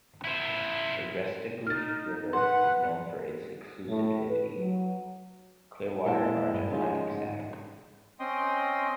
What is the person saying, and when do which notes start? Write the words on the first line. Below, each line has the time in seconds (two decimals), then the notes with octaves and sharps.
The Restigouche River is known for its exclusivity, clear water and large Atlantic salmon.
0.24 E4 C5
1.67 D#4 F6 A6
2.33 B4 F#5 C6
3.88 A2
4.28 B4
4.57 F#3
6.05 A#2 G#3 E4 G5 A5
6.52 E2 G2 B3
6.70 F3 G#3 C#4 D#4 F4 G#4
7.05 D2 G#2
8.20 C4 C#4 D#5 G5 C6 D#6